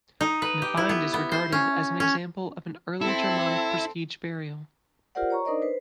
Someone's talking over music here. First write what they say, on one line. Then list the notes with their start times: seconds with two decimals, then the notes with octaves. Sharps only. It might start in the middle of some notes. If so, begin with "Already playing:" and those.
The find is regarded as an example of an early Germanic prestige burial.
0.21 D#4
0.42 B4
0.62 G4
0.77 E4
0.89 B3
1.14 B3
1.32 C5
1.52 C#4
2.00 C#4
3.01 C4 E4 A4
5.15 F4 G4 A#4 C5 D5 F#5
5.30 C#5 A#5 C#6
5.45 D4 D#4 A#4 C5 D5 D#5
5.62 B4 C5